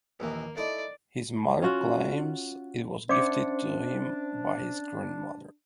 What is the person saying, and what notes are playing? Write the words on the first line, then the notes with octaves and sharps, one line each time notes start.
His mother claims it was gifted to him by his grandmother.
A#1 D#2 E3 A#3
A3 D#4 E4 D5
C#4 F4 F#4
C#4 D4 C5 D5 E5 D6 C#7